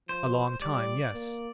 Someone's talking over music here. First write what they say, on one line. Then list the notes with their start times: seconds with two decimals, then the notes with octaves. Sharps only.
"A long time--yes."
0.09 F3 C5
0.61 G3 D5
1.13 A#3